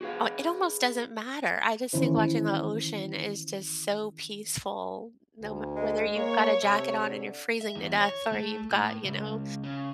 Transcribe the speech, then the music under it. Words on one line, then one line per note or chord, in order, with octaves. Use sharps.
uh, it almost doesn't matter, I just think watching the ocean is just so peaceful, no m whether you've got a jacket on and you're freezing to death or you've got, you know,
F#4 G#4 B4 F5
D#3 E3 C#4 E4 C5
D2
G#3
A#3 C#5
C3 A3
D3
E5
E2
C#5
A3
A2
C#2
C#3